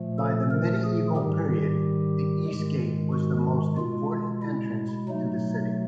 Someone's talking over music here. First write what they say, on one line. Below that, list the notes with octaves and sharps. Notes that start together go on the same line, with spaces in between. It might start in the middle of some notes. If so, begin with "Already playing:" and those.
By the medieval period the Eastgate was the most important entrance to the city.
Already playing: A#2 F3 A3
A4
A#4
G#4
G#2 D#3 G3 G4
G#2 D#3 G#3
F#4
B2 G#3 F4
E4
B2 F#3 A3 D#4